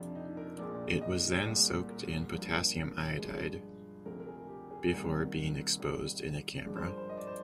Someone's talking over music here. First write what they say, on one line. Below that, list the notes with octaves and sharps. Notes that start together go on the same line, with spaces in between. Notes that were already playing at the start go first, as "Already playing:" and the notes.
It was then soaked in potassium iodide before being exposed in a camera.
Already playing: F2 C3 F3 D4
D#4
A#4
A#1 A#2 G#3 D5
D#5
C2 A#2 G#3
A#4
G2 F3 A#3
G2 F3 G#3
D2 C3 F3 G#3 A#4
A#4
G#4
G4
G#4
C2 C3 D#3 G3 A#3 A#4
G#1 G#2 G3
G2 F3 G#3 D5
C5
A#4
C5
D#5
D5
C5